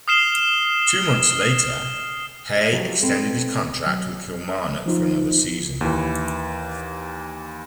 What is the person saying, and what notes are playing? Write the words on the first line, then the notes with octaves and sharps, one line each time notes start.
Two months later, Hay extended his contract with Kilmarnock for another season.
D#6 F6 C7 E7 G7
C5
F3 F#3 E4 G4
C4 A4 B4
F#3
F3 D#4 F4
D#2 E3